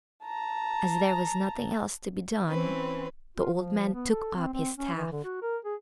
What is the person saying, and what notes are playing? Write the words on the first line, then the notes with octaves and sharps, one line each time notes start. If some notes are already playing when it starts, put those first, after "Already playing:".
As there was nothing else to be done, the old man took up his staff.
A5 A#5
E3 C4 C#4 B4
F4
F3
B3
A4
C4
C4
C#4
E3
D3
F#4
A#4
G#4